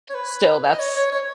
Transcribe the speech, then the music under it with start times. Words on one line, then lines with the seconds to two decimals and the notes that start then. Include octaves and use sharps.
still, that's
0.10 C#5
0.14 B4
0.73 D#5
0.79 C#5
0.96 C#5
1.12 C#5